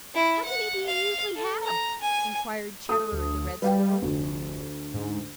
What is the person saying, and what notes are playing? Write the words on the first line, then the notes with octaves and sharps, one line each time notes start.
"How many do you usually have?" inquired Chatterer the Red Squirrel.
E4
F#5
F5
A4
A#5
G#5
A4 D#6
D2
G3 B4 F5 G5
F1 D2
G#2